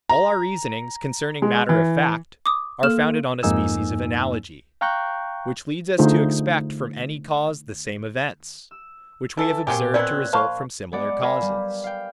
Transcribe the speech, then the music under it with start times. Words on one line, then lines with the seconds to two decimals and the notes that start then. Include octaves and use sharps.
All our reasonings concerning matter of fact are founded on a species of Analogy, which leads us to expect from any cause the same events, which we have observed to result from similar causes.
0.09 A#5
1.42 G#3
1.69 E3
2.46 D6 D#6
2.83 A#3 A4 F6 E7
3.43 F2 G#2 A#3 D#4 G#5 E6
4.81 F5 G5 A#5 C#6 F#6 G6
5.98 D3 A3 D#4 F4 G#4 C5
8.71 E6
9.37 E3 A4
9.67 A#2 F#3 C4 G4 G#5
9.94 B2 F#3 C4 D5 F#6 G#6 B6
10.33 C5 F5 A5 B5 C#6
10.92 G#3 B3 D5 F#5
11.22 A#4 B4 F5 G#5 A#5 B5
11.42 G3
11.84 F5 G5